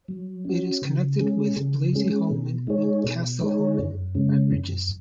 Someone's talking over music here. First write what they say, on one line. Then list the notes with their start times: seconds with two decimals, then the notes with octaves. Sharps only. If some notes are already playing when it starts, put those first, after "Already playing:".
It is connected with Blasieholmen and Kastellholmen by bridges.
0.08 F#3
0.45 C#4 F#4
0.82 C#3
1.19 G#3 C#4 G#4
1.56 C#3
1.93 G#3 C#4 G#4
2.31 B2
2.67 G#3 D#4 G#4 C#5
3.04 B2
3.41 G#3 D#4 G#4 C#5
3.78 F#2
4.15 C#3 G#3 C#4
4.52 F#2